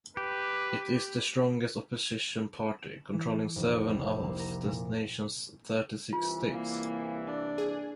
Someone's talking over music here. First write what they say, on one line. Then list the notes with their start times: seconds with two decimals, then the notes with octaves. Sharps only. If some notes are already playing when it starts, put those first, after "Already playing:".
It is the strongest opposition party, controlling seven of the nation's thirty-six states.
0.17 G4 B4
2.79 E7
3.13 E3
3.56 F1
3.90 C2
4.24 A#3
4.39 A#5
4.65 A#2
6.13 C2 E3 F4
6.50 A#3
7.27 D4
7.58 G#4